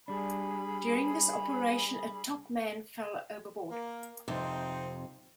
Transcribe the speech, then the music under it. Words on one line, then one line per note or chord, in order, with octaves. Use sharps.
During this operation, a topman fell overboard.
G3 D4 G#4 B5
A#3
F2 C3 C4 D#4